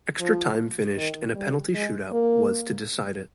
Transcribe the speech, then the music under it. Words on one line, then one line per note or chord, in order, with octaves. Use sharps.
Extra time finished and a penalty shoot-out was to decide it.
F3
D#3
G3
G#3
A#3